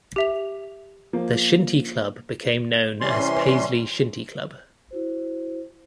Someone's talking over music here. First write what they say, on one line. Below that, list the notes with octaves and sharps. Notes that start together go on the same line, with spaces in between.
The shinty club became known as Paisley Shinty Club.
G4 E5 F7
F3 A#3
C3 E3 G3 C#4 C6
E4 F#4 C5